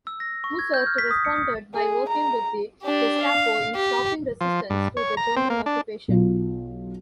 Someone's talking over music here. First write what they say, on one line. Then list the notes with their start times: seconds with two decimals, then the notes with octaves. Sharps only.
Mussert responded by working with the Gestapo in stopping resistance to the German occupation.
0.07 E6
0.20 A#6
0.44 C#6
0.59 G#6
0.74 G6
0.87 F6
0.98 B6
1.11 D#6
1.25 C#7
1.36 D#6
1.74 G#4
2.09 A#5
2.83 D4 G4
3.21 F5
3.75 G4
4.41 F3
4.70 G2
4.97 C#5
5.17 A#5
5.37 C4
5.50 A#3
5.66 D4
6.08 B1 F4